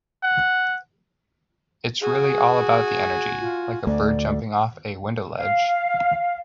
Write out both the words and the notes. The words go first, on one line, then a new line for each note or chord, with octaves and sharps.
It's really all about the energy--like a bird jumping off a window ledge.
F#5
F#4 G#4 G#5
F4
D2 A3 D5
F5